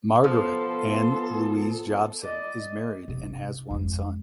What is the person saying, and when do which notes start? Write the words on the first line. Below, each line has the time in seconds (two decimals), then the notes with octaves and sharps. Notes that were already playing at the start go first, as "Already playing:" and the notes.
Margaret Ann Louise Jobson is married and has one son.
0.24 F3 B3 A4 C6
2.24 D5 D#5
3.08 C3 D#4
3.70 F2 G#3